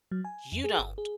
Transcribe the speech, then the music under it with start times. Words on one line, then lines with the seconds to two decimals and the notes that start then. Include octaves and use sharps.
You don't.
0.11 F#3
0.25 G#5
0.52 F2
0.64 G#4
0.79 G1
0.98 G#4